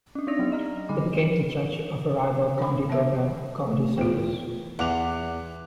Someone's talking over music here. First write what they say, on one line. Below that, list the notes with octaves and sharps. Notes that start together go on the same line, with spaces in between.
He became the judge of a rival comedy program "Comedy Circus".
C#4 D4
C4 D4 D#4 D5 A#6 F7
F#3 B3 E4
D#5 A#5 F6
D3 G3 B5 D6
D4 B5
B3 E5
A3
E2 F4 G5
E2 F#5 D6 F7